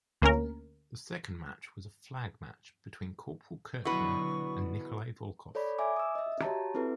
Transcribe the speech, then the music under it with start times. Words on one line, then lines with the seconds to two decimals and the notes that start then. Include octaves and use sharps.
The second match was a flag match between Corporal Kirchner and Nikolai Volkoff.
0.22 D2 A#3 C#4 A#4
3.85 B2 D3 F#3 B3 E4 B4 C#6
5.55 A4 C#5 D5 B5
5.79 E5 G#5 D6
5.96 D#6 E6
6.15 D#5 E5
6.43 F#4 G4 C#5 A5 A#5
6.74 C4 E4 A4 B4